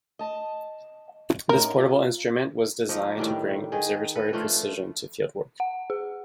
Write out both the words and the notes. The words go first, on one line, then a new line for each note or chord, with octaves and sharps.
This portable instrument was designed to bring observatory precision to fieldwork.
D#5 A5
A2 C#4 D#4 A#4
F4
F3 A#3 D#4
A2 D#3 G3 D4
D#3 G#4
A4 B4
F3 A3 D4 F4
F#5
G#4